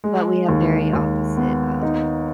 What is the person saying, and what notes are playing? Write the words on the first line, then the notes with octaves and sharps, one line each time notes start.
but we have very opposite, uh, like,
G#3
D#2
D#2
B3
D#4